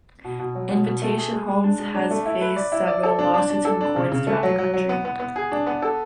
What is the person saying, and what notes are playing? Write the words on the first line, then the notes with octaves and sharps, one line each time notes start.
Invitation Homes has faced several lawsuits from courts throughout the country.
B2
B2
F#3
B2
B2
A3
G#4
G#3
G#3
D4
G#3
D4
A3
E4
B4
D5
E4
D5
A4
D4
D4
D4
A4
D4
C#3
C#3
A3
F#3
F#3
F#3
B3
B3
B3
G#4
D4
B3
A4